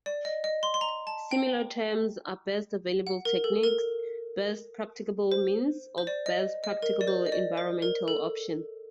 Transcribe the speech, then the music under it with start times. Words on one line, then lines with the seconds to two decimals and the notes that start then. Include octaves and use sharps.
Similar terms are "best available techniques", "best practicable means" or "best practicable environmental option".
0.06 D5
0.25 D#5
0.44 D#5
0.63 C6
0.74 C6
0.81 A#5
1.07 A5
1.31 G5
3.07 F#5
3.25 A#4
3.44 A4
3.63 A#4
5.32 C5
5.98 C5
6.07 D5
6.26 D#5
6.64 D#5
6.82 A#4
7.01 D5
7.08 C5
7.26 D#5
7.32 D5
7.57 C5
7.82 A#4
8.08 A4